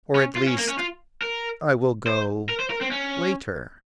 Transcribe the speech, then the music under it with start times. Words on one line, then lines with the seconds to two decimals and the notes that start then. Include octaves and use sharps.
"Or, at least, I will go--later."
0.15 C#4
0.36 F4
0.47 C#4
0.58 A#3
0.69 C#4
0.79 F4
1.22 A#4
2.07 C5
2.49 A#4
2.60 C5
2.70 A#4
2.81 C4
2.92 C#4